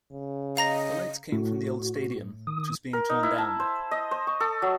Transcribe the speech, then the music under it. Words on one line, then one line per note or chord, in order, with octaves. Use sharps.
The lights came from the old stadium, which was being torn down.
C#3
D#5 F5 A#5 A#6
A2 F#4
D#3 D#6
A#4
D#4
E4
A5
C5
D#5
C5
C#6
A4
F#3